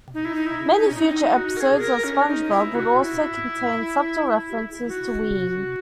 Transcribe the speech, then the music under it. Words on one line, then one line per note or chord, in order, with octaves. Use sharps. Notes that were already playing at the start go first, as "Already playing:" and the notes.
Many future episodes of SpongeBob would also contain subtle references to Ween.
D#4
E4
D#4
E4
D#4
C#4
D#4
D#4
F#4
A#4
G#4
A#4
C#4
D#4
E4
F#4
F#4
E4
F#4